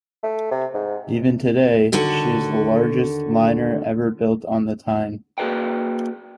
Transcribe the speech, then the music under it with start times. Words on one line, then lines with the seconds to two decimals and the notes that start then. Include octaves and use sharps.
Even today, she is the largest liner ever built on the Tyne.
0.23 A3
0.51 C3
0.74 G#2
1.92 D#2 D3 F#4 A4 F#5
5.38 A#3 F#4 G#4 B4 D5 G5